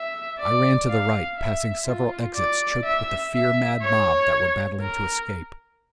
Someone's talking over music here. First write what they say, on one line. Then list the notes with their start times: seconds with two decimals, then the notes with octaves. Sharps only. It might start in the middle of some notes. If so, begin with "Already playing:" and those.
I ran to the right, passing several exits choked with the fear mad mob that were battling to escape.
Already playing: E5
0.39 D5
0.89 F5
1.37 E5
1.86 F4
2.35 D5
2.84 E5
3.34 E5
3.82 C#5
4.81 A#4